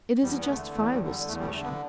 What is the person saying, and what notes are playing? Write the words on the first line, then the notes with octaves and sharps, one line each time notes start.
It is a justifiable suspicion.
E2 G3
B3
D3 A3
E2 A3
G3
D3
G3
E2 A3
G3
A3
D3
B3